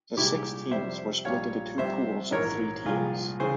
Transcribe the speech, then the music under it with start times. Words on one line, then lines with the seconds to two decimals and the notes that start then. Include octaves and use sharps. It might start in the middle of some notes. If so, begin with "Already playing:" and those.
The six teams were split into two pools of three teams.
0.17 C2 A#2 G#3 E4 G4
0.71 F2 C3 G3 C5 E5
1.25 A#1 A#2 G3 C#5 F5
1.78 C2 C3 G3 C5 E5
2.32 A#1 G#2 E3 A#4 C#5
2.85 C2 A#2 F3 G#3 F4 G#4
3.40 C#3 E3 G#4 C5